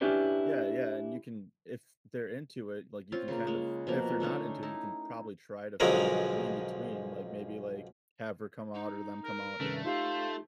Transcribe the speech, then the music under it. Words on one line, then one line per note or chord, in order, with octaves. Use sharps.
Yeah, yeah, and you can if they're into it, like, you can kind of and if they're not into it, you can probably try to find an in-between, like, maybe, like, have her come out or them come out, you know,
C#4 D4 E4 G4 B4 D5
C4 C#4 F4
C#3 A#3
G#3 A#3
B2 F3 A#3
D3 A3 C#4 D#4
D#4 E4
B1 D3 F3 G#3 C#4 A#4
D#4
A#4
C3 D#3 A3 C#4 B4
D#4 F4 G4 C5 F5